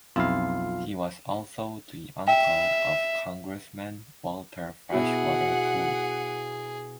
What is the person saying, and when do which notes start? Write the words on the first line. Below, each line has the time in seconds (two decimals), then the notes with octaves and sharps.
He was also the uncle of Congressman Walter Freshwater Pool.
0.16 B1 F2 E4 F4 F5
2.28 E5 G5
4.92 B2 E4 F#4 G#4 F#5